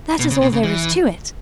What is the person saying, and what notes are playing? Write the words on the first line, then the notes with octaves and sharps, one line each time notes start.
That is all there is to it.
B2
C#3
B2
C#3
E3